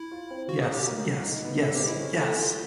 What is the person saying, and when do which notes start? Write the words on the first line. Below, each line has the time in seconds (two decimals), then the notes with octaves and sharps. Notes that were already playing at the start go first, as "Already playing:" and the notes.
Yes, yes, yes, yes...!
Already playing: E4
0.11 F4
0.30 C4
0.49 F4 F#4
0.62 G#4
0.68 C#4
0.75 G4
0.87 A#3
1.06 F#3
1.25 D#4
1.44 B3
1.62 C4 A4
1.75 G4
1.81 G#3
1.87 E4
2.00 C#4
2.19 A3
2.38 A3 F4